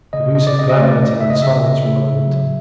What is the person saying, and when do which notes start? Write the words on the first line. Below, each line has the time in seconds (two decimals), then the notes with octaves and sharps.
Cahusac glowered at him in silence for a moment.
0.13 C#3 D#5
0.35 C#3 D#5
0.47 D5
0.56 C#3 D#5
0.69 D#5
0.77 A3 D5
0.99 A3
1.20 C#3 E5
1.30 D#5
1.41 C#3 E5
1.63 C#3
1.84 C#3
2.05 C#3
2.27 F#3